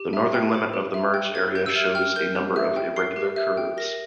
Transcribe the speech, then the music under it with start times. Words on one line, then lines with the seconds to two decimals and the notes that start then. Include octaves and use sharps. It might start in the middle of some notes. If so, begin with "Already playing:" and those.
The northern limit of the merged area shows a number of irregular curves.
Already playing: G4
0.13 E5
0.34 G5
0.54 C5
0.73 G4
0.94 E5
1.14 G5
1.35 C5 G#6
1.55 G4 G6
1.66 E6
1.75 E5 F6
1.95 G5 F6
2.16 A#4 G6
2.36 G4
2.56 E5
2.76 G5
2.96 A#4 C7
3.16 G4
3.36 E5
3.57 G5
3.77 A#4 A#6